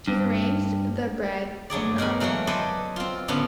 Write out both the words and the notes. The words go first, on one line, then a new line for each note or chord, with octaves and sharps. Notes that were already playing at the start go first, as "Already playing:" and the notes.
She arranged the bread in the oven.
G2
G2 F#3 G#4 D5
B2 A#4 G#5 B5
E3 F#3 A3 A#3 F#4
A4 B4 C5 D5 D#5 G#5
C4 F4
A2 D3 B3 C#4 B5